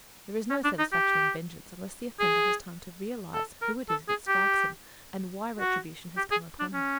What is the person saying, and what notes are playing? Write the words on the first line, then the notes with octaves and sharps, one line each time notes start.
There is no satisfaction in vengeance unless the offender has time to realize who it is that strikes him, and why retribution has come upon him.
C#4
D4
D#4
G4
G#4
A4
A#4
A4
G#4
G4
F#4
G4
G#4
D4
C#4